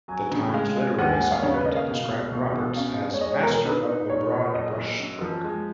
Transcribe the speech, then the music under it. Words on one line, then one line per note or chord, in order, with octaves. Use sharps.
"The Times Literary Supplement" described Roberts as "master of the broad brush-stroke".
F#3 G#5
C#3
G#3 F5
G#3
D#2 F#5
G#5
D#2 F#5
F5
C#3 C#5
B4
A#3 D#5
F5
B2
C#2
B2
B2
C#4 F5
G#3
C#5
G#3 D#5
C#5
B2 A#4
A#4
D#4 B4
D#4
A#2 C#5
A#2
F#1 D#5
F#1
F#2
F3
G#3